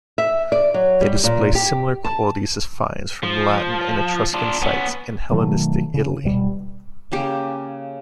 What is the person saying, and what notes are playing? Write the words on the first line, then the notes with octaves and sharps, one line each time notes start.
They display similar qualities as finds from Latin and Etruscan sites in Hellenistic Italy.
E5
D5
F#3
G3
A#2
G4
A5
F3
D4 F4
B3 C#4
B2 D#3 F#3 A3
C#3
D#1 B2 G3
C#3 A#3 G4